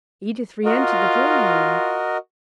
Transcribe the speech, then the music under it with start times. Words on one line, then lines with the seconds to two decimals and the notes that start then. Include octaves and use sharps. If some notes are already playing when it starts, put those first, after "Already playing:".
Edith re-entered the drawing-room.
0.65 F4 F#4 A#4 D#5